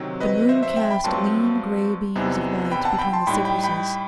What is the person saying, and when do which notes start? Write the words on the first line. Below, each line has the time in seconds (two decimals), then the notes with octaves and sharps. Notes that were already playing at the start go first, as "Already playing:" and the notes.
The moon cast lean grey beams of light between the cypresses.
Already playing: C3 D#3 F#3 C4
0.20 B4 D#5
0.49 C5 E5
0.63 C5 E5
0.76 E5 G5
0.91 G5 B5
1.04 G2 F#3 A3 C4 A5 C6
2.15 E2 C3 E3 B3 D#4
2.71 G5 B5
2.85 F#5 A5
2.99 G5 B5
3.13 A5 C6
3.27 A2 G3 D#4 G5 B5
3.45 G5 B5
3.64 G5 B5